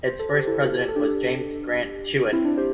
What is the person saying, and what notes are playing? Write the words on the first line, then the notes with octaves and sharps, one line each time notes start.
Its first president was James Grant Chewett.
C5
A4
G4
E4 A4
G4
A4
D4 G4
C4 E4
D4
G4 C5